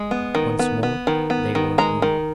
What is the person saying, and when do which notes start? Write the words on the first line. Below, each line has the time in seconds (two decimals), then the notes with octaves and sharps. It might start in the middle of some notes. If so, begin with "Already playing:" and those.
Once more they were at home.
Already playing: G#3
0.11 B3
0.35 D#3
0.59 B3
0.83 B3
1.07 D#3
1.30 B3
1.55 D#3
1.78 G#3 A#5
2.02 D#3